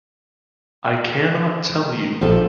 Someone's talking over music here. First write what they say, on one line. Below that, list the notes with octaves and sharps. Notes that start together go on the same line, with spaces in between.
I cannot tell you.
A#1 F3 A4